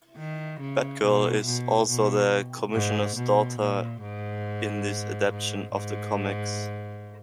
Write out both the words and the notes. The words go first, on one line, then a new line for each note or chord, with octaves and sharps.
Batgirl is also the Commissioner's daughter in this adaption of the comics.
D#3
C#3
B2
B2
B2
G#2
B2
A#2
G#2
G#2
G#2